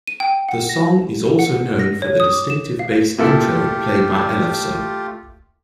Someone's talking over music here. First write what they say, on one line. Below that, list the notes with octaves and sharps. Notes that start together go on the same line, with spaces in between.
The song is also known for the distinctive bass intro played by Ellefson.
D#7
G5
F#5
A#6
F#5
A#6
C#5
D#6
D6
E7
F5
A#2 A3 E4 F4 G4 A4